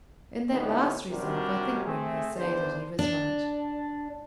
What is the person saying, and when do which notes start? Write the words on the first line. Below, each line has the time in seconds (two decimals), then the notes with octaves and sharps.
In that last resolve I think we may say that he was right.
0.52 A2 D3 G3 B3 C#4 D#4
1.11 C3 G3 C#4 D4 F#4 A#4
1.85 A3 C4 G#4
2.37 E2 D3 D4 C5
2.99 D4